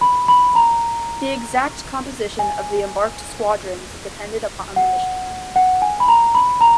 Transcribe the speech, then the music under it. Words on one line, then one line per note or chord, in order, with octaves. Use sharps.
The exact composition of the embarked squadrons depended upon the mission.
B5
B5
A#5
G#5
F#5
F#5
G#5
B5
A#5
B5
A#5